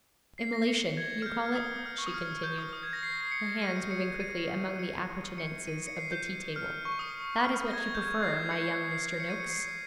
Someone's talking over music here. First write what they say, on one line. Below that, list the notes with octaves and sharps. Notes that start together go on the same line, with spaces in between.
Immolation, you call it?' she continued, her hands moving quickly among the appurtenances of the tea-table. 'That is what you prefer, my young Mr. Noakes.'
C7
A#6
C#7
G#6
F6
G6
F6
D#6
F6
C#6
D#6
F6
G6
D#6
D#6
G#6
A#6
C7
C7
C#7
D#7
C#7
C#7
D#7
C#7
C#7
D#7
C#7
C7
G6
F6
C#6
D#6
F6
A#6
G#6
G6
G#6
C7
G#6
C#7
C7
C7
C#7
D#7
C#7
C7
C#7